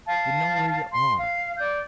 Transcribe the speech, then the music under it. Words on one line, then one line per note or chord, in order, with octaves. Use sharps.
You know where you are.
F5 A5
C6
F5
D5 G6